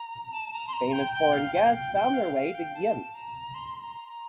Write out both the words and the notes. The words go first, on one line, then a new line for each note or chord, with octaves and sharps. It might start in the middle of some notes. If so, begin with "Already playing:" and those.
Famous foreign guests found their way to Ghent.
Already playing: A#5
A5
A#5
C6
A#5
G5
G5
F5
G5
F5
G5
G5
F5
F5
G5
A5
A#5
C6
A#5
A#5